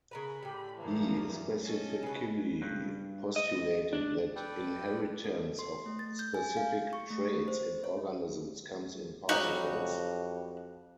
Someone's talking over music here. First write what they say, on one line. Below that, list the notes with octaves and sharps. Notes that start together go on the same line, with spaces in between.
He specifically postulated that inheritance of specific traits in organisms comes in particles.
C#3 A#4 B4 B5
A2 D3 G4
F#2 E3 F3 A#3
E3
C#4 A4 D#5
C#3 B4
G2
D#5
D4
A4 B4 D5 G5
A4
C6
A3
A6
G6
G#5
F5
C#6
A3
C5
C#5
F2 F#3 G3 D#4 F#4